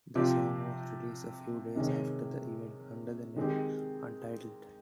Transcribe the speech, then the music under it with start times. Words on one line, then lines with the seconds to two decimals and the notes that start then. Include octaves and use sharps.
The song was released a few days after the event, under the name "Untitled".
0.15 C3 F3 C4 G4
1.75 C3 D#3 G#3 C#4
3.36 D#3 G#3 C4 G4